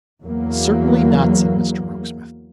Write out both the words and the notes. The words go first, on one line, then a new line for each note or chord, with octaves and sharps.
Certainly not, said Mr Rokesmith.
E2 F#3 A#3